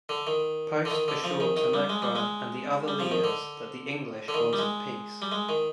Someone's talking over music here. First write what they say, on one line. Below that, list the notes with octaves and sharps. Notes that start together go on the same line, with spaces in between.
Post assured Tamaqua and the other leaders that the English wanted peace.
D3
D#3
D3
D#3
D3
F3
D#3
D#3
G3
G#3
G3
G#3
G3
F3
D#3
D3
D3
D#3
G3
G#3
G3
G#3
D#3